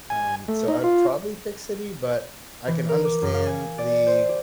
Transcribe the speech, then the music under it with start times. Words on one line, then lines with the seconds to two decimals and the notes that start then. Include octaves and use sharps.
um, so I'd probably pick city, but I can understand the
0.10 G#5
0.48 A3
0.68 D#4
0.84 F4
2.67 E3
2.89 A#4
3.05 D6
3.22 F#2
3.34 F5
3.46 G#5
3.78 D5
4.07 C5
4.29 G4